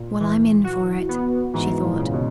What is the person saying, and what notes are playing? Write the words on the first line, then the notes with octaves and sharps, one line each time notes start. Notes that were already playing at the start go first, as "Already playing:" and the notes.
"Well, I'm in for it," she thought.
Already playing: A#2
E3
F#4
B3
G#2 E3
A#2
C#3
B2